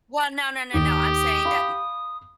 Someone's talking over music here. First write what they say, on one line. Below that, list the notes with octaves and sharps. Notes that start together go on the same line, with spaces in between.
well, no, no, no, no, I'm saying that
D#2 G4 D#6
F5 B5